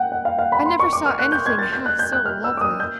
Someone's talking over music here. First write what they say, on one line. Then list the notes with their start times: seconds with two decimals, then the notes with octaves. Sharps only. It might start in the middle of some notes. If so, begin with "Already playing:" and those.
"I never saw any thing half so lovely."
Already playing: F#5 G5
0.12 F#5
0.25 F5
0.39 F5
0.52 B5
0.65 C6
0.80 C#6
0.93 D6
1.06 F6
1.19 F#6
1.32 G6
1.46 G#6
1.59 A6
1.72 G6
1.86 F#6
1.99 G6
2.12 F#6
2.26 F6
2.44 E6
2.57 D6
2.61 D#6
2.80 G6